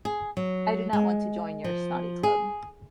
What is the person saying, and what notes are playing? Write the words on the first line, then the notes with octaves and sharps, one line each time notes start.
I do not want to join your snotty club.
G#4
F#3
G#3
F3
G#4